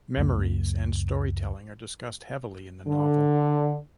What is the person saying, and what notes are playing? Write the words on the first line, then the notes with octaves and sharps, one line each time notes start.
Memories and storytelling are discussed heavily in the novel.
C#2 F#2 A#3
D3